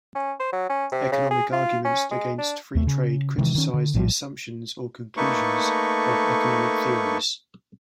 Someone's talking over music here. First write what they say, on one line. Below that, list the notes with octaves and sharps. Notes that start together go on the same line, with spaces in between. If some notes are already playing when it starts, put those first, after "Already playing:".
Economic arguments against free trade criticize the assumptions or conclusions of economic theories.
C#4
C5
F#3
C#4
C3
C#3
G#4
F4
C#4
G#3
D4
D#2 A3
C#3
C3 D#3 E3 G#3
D#3 C#4
D3
A#1 A2 F3 G3
A3 A#3 D#4 A4 B4 C#6